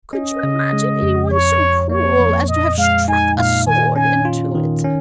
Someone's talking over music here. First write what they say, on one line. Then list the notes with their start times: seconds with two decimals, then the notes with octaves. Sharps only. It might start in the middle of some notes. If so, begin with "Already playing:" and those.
Could you imagine any one so cruel as to have struck a sword into it?
0.13 C#4 D#5
0.44 C#3
0.73 G#3
1.02 F2
1.31 F2 C#5
1.61 F3
1.89 A#3 C#5
2.20 F2
2.49 A#2 D#5
2.78 G#3 F5
3.08 D#4 G#5
3.37 A#2 F5
3.66 D#3 G#5
3.96 C#4 G#5
4.25 F4
4.55 D#3
4.85 C#4